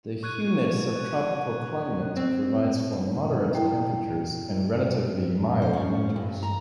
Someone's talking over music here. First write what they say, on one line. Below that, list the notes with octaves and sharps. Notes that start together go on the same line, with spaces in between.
The humid subtropical climate provides for moderate temperatures and relatively mild winters.
C#6 F#6 G#6 D#7
C4
E4 A#4 G5
C5
C#4
G2
A#5